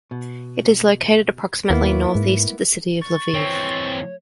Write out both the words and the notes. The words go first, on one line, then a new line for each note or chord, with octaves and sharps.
It is located approximately northeast of the city of Lviv.
B2
D#2 A#3 B3 E4
G#2
C#6 A6
E3 C4 C#5